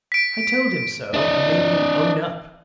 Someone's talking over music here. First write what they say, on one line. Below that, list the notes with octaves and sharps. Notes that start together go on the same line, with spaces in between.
I told him so, and made him own up.
B6 D7
D4 D#5